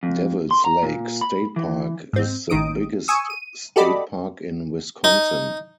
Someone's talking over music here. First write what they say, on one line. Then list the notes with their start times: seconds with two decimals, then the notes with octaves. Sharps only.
Devil's Lake State Park is the biggest state park in Wisconsin.
0.03 F2
0.51 C6
0.65 A#5
0.83 A#2
1.21 B5
1.56 E3
2.13 G#2 C4
2.50 A1 D#3 D#4 D#6 D7
3.08 G#5 C#6 D#6 E6
3.30 D#7
3.76 F#4 G4 A4 D5 D#5 B5
5.04 D#4